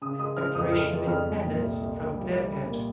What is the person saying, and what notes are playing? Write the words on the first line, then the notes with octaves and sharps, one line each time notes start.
Declaration of Independence from Connecticut.
C#3 D#6
G#3 D#6
C#3 F6
F2 D#6
F2 F6
G#3
F2 F6
F2
A#2
C2
C2
A#3
G3
G3
G3
A#2